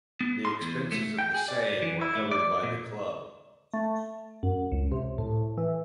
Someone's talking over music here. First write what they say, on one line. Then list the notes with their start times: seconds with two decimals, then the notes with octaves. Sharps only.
The expenses of the same were covered by the club.
0.21 B3
0.45 C6
0.61 E2
0.92 A3
1.19 G5
1.34 G#4
1.48 D5
1.82 E3
2.01 E4
2.15 A3
2.31 D5
2.63 A#2
3.74 A3
4.43 F#2
4.72 C#2
4.92 C3
5.18 A2
5.57 E3